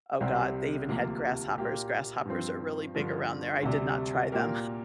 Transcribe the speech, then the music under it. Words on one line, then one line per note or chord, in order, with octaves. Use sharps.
Oh god, they even had grasshoppers. Grasshoppers are really big around there. I did not try them,
C2 C3 G3 C4 G4
D2 C3 F3 A#3
A#2 A#3 G4
G2 F3 C4
G2 D3 F3
D2 C3 G3
A#2 A#3 G4 A#4